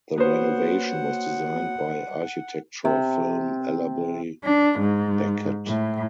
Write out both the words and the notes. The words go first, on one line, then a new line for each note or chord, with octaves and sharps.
The renovation was designed by architecture firm Ellerbe Becket.
A#3 B3 F#4 C5 C#5 F#5
C3
D4
G#2
A2